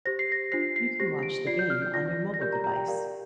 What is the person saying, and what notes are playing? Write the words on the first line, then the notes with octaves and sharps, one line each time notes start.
You can watch the game on your mobile device.
G4 C5 A#6
C7
A#6
D4 F4 C5 C7
C7
G4 C5 A#6
D7
F4 D5 C7
G6
F6
G6
F4 D5 A#6
A#6
G4 A#4 D5 G6
A#5
A#5
G5
G4 A#4 D5 F5